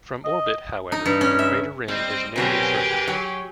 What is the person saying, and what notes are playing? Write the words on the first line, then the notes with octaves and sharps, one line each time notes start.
From orbit, however, the crater rim is nearly circular.
D#5
D#4
G2
C#4
E5
G3 C4 C5 D#5
B2 F#3 C4 G4 G#4 A#4 B4
F#3